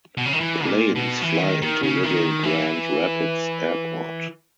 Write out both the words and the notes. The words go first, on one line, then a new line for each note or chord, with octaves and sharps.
Planes fly into Little Grand Rapids Airport.
B2
C#3
D#3
E3
A#2
B2
E3
D#3
D#3
C#3
D#3
E3